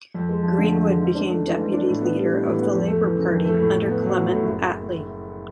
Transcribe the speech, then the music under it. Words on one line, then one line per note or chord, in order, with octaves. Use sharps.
Greenwood became Deputy Leader of the Labour Party under Clement Attlee.
F2
G#3
F3
D3
F2
G#3
G#2
D4
A3
E3
G#2
D4
A2
B3
G3
E3
A2
B3
F2
A3
E3
C#3
F2
A3
A2
A2
B3
F#3
A2
A2
F#1